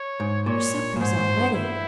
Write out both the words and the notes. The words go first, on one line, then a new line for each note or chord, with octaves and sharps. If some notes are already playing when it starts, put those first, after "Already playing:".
Your supper is all ready.
Already playing: C#5
G#2
A#2 C#5
A#2
G#2 C5
G#2
G2
E4